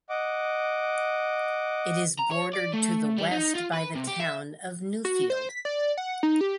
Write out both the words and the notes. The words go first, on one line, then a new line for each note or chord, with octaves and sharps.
It is bordered to the west by the town of Newfield.
D#5 F#5 D6
A#5
C#5
D5
A3
G3
D#4
F4
B4
C3
G4
E5
F#4
C5
B6
D5
F#5
D#4
G4